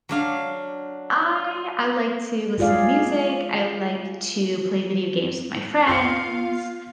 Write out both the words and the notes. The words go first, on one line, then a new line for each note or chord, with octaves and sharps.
I I like to listen to music. I like to play video games with my friends.
F#3 D4 F5
G#3 F4 G#4 D5 F5
F4 F5 C7 C#7